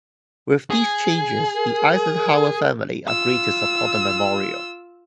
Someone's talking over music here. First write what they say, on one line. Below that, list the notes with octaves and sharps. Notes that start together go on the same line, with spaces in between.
With these changes, the Eisenhower family agreed to support the memorial.
G#4
A#4
F4 E6